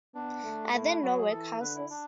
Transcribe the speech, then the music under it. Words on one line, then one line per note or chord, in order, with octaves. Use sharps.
Are there no workhouses?
B3 D4
A3
A3 E4
D4
E4
F#3 F#4
G#4
E3 A4
D3 B4
E4
D4